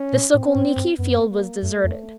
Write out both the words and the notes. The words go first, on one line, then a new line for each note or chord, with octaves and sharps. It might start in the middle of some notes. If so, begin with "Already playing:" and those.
The Sokolniki field was deserted.
Already playing: C#4
A#2
A2 C4
G#2
G2
F#2 B3
A#3
F#2 A3
F2